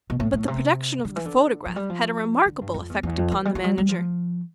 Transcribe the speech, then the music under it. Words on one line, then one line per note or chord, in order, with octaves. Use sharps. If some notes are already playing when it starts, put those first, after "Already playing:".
But the production of the photograph had a remarkable effect upon the manager.
B2
A2
A2
C3
D3
E3
D3
F3
G3
F3
D3
G2
F2
E2
E2
F2
E3
G3
F3
G3
G3
F3